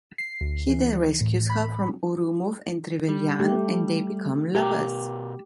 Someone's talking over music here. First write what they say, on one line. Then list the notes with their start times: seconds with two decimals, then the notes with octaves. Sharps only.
He then rescues her from Ourumov and Trevelyan, and they become lovers.
0.18 C7
0.41 D2
0.69 E3
1.21 A2
1.50 B5
3.09 G3
3.39 A3 G4
4.55 B2 G4 A#4 A#5